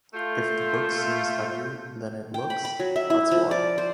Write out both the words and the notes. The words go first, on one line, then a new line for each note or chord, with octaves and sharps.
If the book seems heavier than it looks, that's why.
A3 F4 G6
G5
B5
B5
F#3
E5
E4
F3
D5
C5